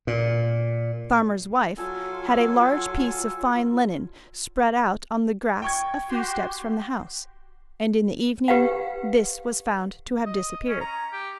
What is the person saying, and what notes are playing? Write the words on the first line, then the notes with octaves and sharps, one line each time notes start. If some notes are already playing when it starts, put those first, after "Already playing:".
The farmer's wife had a large piece of fine linen spread out on the grass a few steps from the house, and in the evening this was found to have disappeared.
A#2
F#3 F4 A4 G#5
G5 C#6 G#6
F#4 G4 C6
G4 B4 F5 F#5
D#5
C#4
A#5
G4